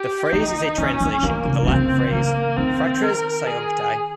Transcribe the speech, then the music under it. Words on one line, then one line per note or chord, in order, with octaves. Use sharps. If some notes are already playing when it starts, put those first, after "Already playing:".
The phrase is a translation of the Latin phrase "fratres seiuncti".
Already playing: G4
D#3 D#4
D#3 C#4
D#3
D#3 A#3
C#3
D#3
C#3 C4
C#3 A#3
D#3 C4
A#4
G#4